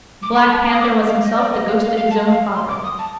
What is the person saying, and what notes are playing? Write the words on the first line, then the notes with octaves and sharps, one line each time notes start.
The black panther was himself the ghost of his own father.
D6
D6
C6
A5
A#5
D#6
D6
F5
D#5
D5
D#5
F5
F5
F5
A5
F5
C6
D6
D#6
A5